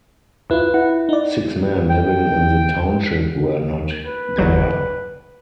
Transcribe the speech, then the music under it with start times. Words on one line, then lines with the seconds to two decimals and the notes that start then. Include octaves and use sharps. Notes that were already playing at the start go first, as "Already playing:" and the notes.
Six men living in the township were not there.
0.51 E4 F4 B4
0.74 E4 F#5
1.09 D#4 D5
1.89 G5
4.06 B4
4.37 G1 F#3 G6